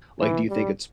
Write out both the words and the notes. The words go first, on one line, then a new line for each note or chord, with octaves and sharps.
Like, do you think it's
E3
G3